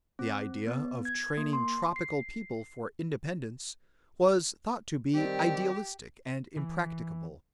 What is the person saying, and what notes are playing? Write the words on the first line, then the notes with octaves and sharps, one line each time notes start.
The idea of training tropical people for independence was thought to be idealistic and impracticable.
C4
B3
G#6
A#3
C6
C7
D#3 G3 C4 G4
E3